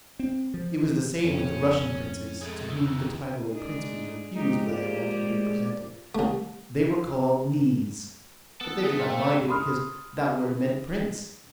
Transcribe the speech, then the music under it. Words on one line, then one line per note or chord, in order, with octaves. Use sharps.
It was the same with the Russian princes, to whom the title of prince was refused when they wanted to be presented; they were called "knees," but they did not mind it, because that word meant prince.
C4
F3
E3
F2 C#4
G#3 A3
D#3 E3
G#3 D4 D#4 G#4
F2 C#3 G#3 D#4 G4
F3 A#3 F4 G4 D5
C2 A3
B3 A4
A3 G#4 A6 C7
A#3 C4
B5 C6 D#6 F6